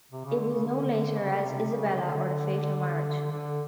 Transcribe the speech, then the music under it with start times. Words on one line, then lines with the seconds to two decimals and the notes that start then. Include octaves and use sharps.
It was known later as "Isabella, or The Fatal Marriage".
0.12 C3
0.25 C#3
0.39 D3
0.52 C#3
0.65 D3
0.91 D3
1.18 C#3
1.44 C3
1.71 C#3
1.99 D3
3.32 D3